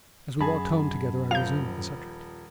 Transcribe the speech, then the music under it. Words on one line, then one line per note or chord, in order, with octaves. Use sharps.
As we walked home together I resumed the subject.
F#2 G#4 A5 B5
D#1 F3 F5 G6 F7